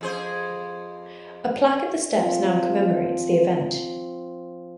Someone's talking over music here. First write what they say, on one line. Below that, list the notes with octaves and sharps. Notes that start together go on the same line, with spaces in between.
A plaque at the steps now commemorates the event.
F2 G#4 C5
F3 C4